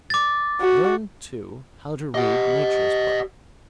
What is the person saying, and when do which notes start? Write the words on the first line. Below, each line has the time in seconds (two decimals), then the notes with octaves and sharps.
Learn, too, how to read Nature's book.
0.10 D6 A6
0.61 F#4
2.14 G4 D#5 F#5